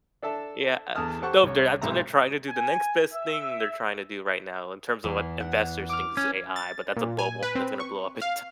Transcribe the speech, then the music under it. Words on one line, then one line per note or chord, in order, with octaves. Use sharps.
Yeah, uh no, there that's what they're trying to do the next best thing they're trying to do right now, in terms of what investors think, is AI, but that's a bubble that's gonna blow up anytime
D4 A4 E5 A5
E2 A4 A5 D#6 F6
G4 A4 C5 F#5 A5 C#6
C2 C#5
B1 G#2 C3 E5 A#5
G#5
E5
E2
F#5
D6 F6
C#4
A6
A#2
G#5
B4
C4
C#6
F5